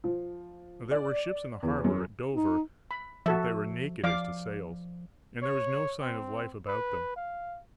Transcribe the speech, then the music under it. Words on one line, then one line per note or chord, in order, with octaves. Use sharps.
There were ships in the harbor, at Dover, but they were naked as to sails, and there was no sign of life about them.
F3
D5
E2
F#2
D#4
B5
F3 F#4 A4 E5
F3 D5 F5 D6
C#5
C4
B4
F5